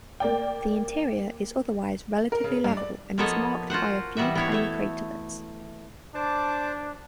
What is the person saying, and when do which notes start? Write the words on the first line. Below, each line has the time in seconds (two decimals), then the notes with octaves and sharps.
The interior is otherwise relatively level and is marked by a few tiny craterlets.
0.20 A#3 D5 G5
2.32 A#4
2.44 C#3
2.64 G2
2.77 D5
3.18 F3 A#3 B3 A4 C#5 D#5
3.70 F4 F#4 C5 F#5
4.17 E3 G3 B3 F#4 E5
4.35 B3 E4 C#5
4.52 A3 E5
6.15 D4 C5 A5 D6